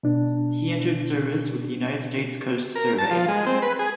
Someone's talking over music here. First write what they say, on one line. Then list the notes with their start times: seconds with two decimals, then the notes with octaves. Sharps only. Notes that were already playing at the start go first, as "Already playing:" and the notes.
He entered service with the United States Coast Survey.
0.03 B2 D4
2.75 A#4
2.98 A5
3.11 F3
3.28 G#3
3.46 C4
3.62 B4
3.79 G#4